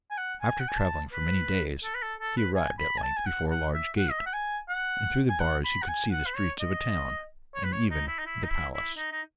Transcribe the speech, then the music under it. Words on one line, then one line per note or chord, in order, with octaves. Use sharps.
After travelling for many days, he arrived at length before a large gate, and through the bars he could see the streets of a town, and even the palace.
G#5
F#5
G#5
F#5
G#5
A5
B4
A4
B4
A4
A4
B4
G#5
B5
G#5
A5
G#5
F#5
F#5
E5
F#5
D#5
E5
F#5
G#5
F#5
G#5
F#5
B5
F#5
G#5
F#5
B4
C#5
D#5
C#5
B4
C#5
D#4
E4
D#4
E4
D#4
E4
E4
D#4
D#4